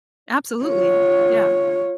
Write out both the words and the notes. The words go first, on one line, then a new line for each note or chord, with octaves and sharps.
Absolutely. Yeah.
F4 C#5